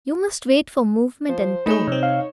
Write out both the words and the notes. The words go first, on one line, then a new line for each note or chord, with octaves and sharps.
You must wait for movement and tone.
F3 C5
A3 D#4 G#4 C#5 B5 E7 G7
C3 C4 C#5
F5